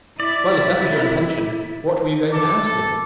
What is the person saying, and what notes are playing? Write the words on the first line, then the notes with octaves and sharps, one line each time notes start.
"Well, if that is your intention--what were you going to ask me?"
E4 D5
A4 D6